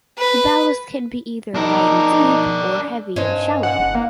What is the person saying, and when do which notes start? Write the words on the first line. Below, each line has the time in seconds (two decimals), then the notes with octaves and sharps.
The ballast can either be light and deep, or heavy and shallow.
0.18 B4
1.55 D4 D#4 A#4
3.16 G2 C#4 D#4 C5
3.63 F#5
3.79 F#1
3.95 A#3